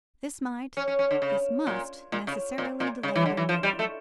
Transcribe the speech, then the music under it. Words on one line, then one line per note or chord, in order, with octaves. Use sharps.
This might, this must, necessarily delay their meeting.
C#4
C#4
C#4
D3
C#3
A#2
A#2
C#3
A#2
A#2
C#3
E3
D3
E3
F3
G3
A3